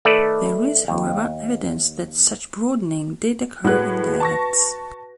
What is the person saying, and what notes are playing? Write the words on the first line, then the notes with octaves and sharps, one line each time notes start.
There is, however, evidence that such broadening did occur in dialects.
D#3 A3 A4 B4 D5
D#2
A2 G#3 F#4 B4 F#6
A5 C#6 A#6